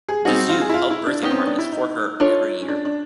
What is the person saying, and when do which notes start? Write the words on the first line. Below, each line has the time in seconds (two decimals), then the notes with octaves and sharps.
The Zoo held birthday parties for her every year.
0.09 G#4
0.25 G3 C4 D#4 F#4 G#4
0.49 F4
0.61 G#4
0.69 E4
0.74 F4
0.90 E4
1.06 D4
1.22 B3 C#4 D#4 G4
1.30 C4
1.35 C#4
1.47 D4
1.59 E4
1.72 D#4
2.20 D4 F4 A4 C#5
2.62 C#4
2.68 D4
2.85 D4